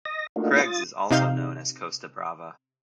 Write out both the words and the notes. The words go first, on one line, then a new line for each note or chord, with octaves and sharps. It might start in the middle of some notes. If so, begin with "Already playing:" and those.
Creggs is also known as Costa Brava.
D#5 D#6 A#6
A3 A#3 D4 D#4 F4 F#4
F4 D#6 A6
C3 D#4 F5 G6